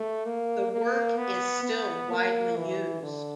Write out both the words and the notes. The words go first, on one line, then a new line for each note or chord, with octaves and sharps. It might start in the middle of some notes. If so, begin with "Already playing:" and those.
The work is still widely used.
Already playing: A3
A#3
A#3
B3
B3
A#3
E3
D3